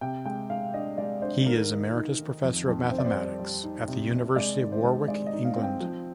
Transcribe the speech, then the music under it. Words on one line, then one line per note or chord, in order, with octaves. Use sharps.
He is Emeritus Professor of Mathematics at the University of Warwick, England.
C3 G5
G#3 G5
G#3 F5
D4 D#5
G#3 D5
D4 C5
D#3 A#4
D#4
D#4
D#3
F2
F2
C4 C5
D5
C5
G3
G3
D#4
C3
C3
G#3 D5
D#3
C5
G#3
G#3 D5
D#5
D#4
F5
C4
G5
F3